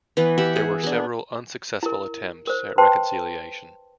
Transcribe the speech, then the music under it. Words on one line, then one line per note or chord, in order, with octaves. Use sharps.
There were several unsuccessful attempts at reconciliation.
E3 B3 B4
G4 B4 E5 F#5
G#4
B3 D4
E4 A#4
A#4 C5
B4 C5 G5 A5 C6